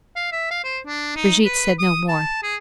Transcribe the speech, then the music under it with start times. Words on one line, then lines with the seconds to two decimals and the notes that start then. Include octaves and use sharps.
Brigitte said no more.
0.16 F5
0.32 E5
0.51 F5
0.64 C5
0.87 D4
1.16 D#4
1.45 B4
1.79 D#6
2.08 A5
2.43 G#4